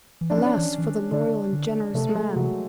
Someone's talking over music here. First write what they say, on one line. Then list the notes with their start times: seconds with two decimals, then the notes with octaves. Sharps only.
Alas, for the loyal and generous man!
0.21 E3
0.30 F3 D4
0.38 C#4
0.45 D4
0.57 E3
0.78 E3
0.84 D#3
1.12 D3 D4
1.53 D3
1.94 C3 A3
2.15 G#3
2.36 C3 F#3